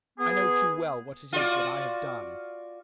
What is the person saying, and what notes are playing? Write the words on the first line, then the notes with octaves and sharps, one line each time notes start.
'I know too well what it is that I have done.'
B3 G#4
F4 F#4 D5